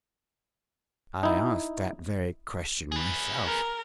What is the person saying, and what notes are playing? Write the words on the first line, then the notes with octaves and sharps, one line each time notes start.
I asked that very question myself.
D#4 E4
G#4 B4
A#4